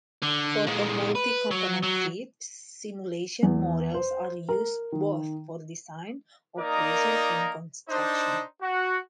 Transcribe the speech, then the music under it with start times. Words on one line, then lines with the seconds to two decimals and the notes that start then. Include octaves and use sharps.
For a multi-component feed, simulation models are used both for design, operation, and construction.
0.23 D3
0.67 A#2 G#3
1.15 B4
1.51 F#3
1.83 F#3
3.43 E2
3.94 C5
4.49 A#4
4.92 D#3
6.58 A#3 D#4 A#4 D5 D#5
7.89 D4 D#4 C5
8.62 F#4